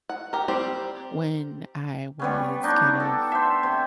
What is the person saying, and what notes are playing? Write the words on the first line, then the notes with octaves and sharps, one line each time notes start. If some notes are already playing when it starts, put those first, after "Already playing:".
when I was kind of
F#5
G4 A#4
G3 C4 G4 C5
G3 B3 C#4
D4 D#4 C#5
A4
C5 E5
C3